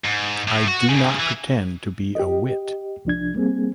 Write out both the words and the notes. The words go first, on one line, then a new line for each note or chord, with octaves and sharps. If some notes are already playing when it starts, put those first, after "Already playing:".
I do not pretend to be a wit.
G#2
A2
F#4
G2 C#3
E3
G4 D#5
C2 F3 D4 G#6
G3 A#3 C4 G#4